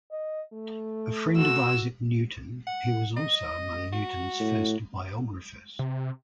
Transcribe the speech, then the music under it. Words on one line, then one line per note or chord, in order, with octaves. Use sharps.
A friend of Isaac Newton, he was also among Newton's first biographers.
D#5
A3
F#4 E6
F#5
D#5
F#4
A2
C3